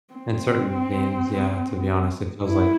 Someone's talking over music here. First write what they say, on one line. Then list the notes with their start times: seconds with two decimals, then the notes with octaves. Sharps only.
and certain games, yeah, to be honest, it feels like
0.14 C4
2.47 E4